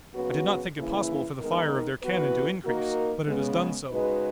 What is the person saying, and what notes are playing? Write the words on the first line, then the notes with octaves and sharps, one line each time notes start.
I did not think it possible for the fire of their cannon to increase, but it has done so.
C#3 F#3 B3 F#4 B4
C#3 E3 A#3 E4
D#3 G#3 B3 D#4 A#4
E3 B3 F#4 B4
A#3 D#4 F#4 A#4
C#3 G#3 B3
C#3 G#3 D#4 F#4 B4